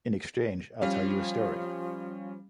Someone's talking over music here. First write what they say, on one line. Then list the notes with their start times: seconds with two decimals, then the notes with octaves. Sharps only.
In exchange, I'll tell you a story.
0.82 F3 G3 C#4 F5